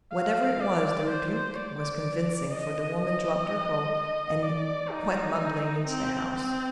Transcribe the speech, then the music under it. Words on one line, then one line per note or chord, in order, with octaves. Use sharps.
Whatever it was, the rebuke was convincing, for the woman dropped her hoe and went mumbling into the house.
F5
D5
C5
D5
D#5
D#5
D5
D#4
C4
C4